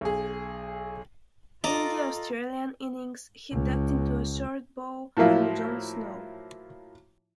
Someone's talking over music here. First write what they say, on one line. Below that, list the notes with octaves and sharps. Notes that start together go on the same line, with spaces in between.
In the Australian innings he ducked into a short ball from John Snow.
B1 G#4
F4 A4 D5 D#5 A#5 D6
C#2
A2 F3 F#3 A#3 E4 F4